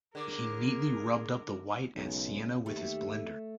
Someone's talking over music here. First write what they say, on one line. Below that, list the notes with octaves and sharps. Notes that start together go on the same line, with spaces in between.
He neatly rubbed up the white and sienna with his blender.
D3 G#4 A#4 D5
B1 C#3 G#3
D#2 A3 G4